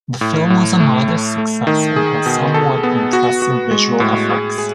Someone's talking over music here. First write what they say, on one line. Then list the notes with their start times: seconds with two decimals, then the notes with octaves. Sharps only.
The film was a modest success and has somewhat impressive visual effects.
0.21 A2
0.50 A2
0.80 A3
1.08 A3
1.38 A3
1.67 D#3
1.96 G#4
2.26 B2
2.54 A4
2.83 B3
3.13 F#4
3.42 F#4
3.71 G#3
4.00 A2
4.30 G#4
4.58 G#4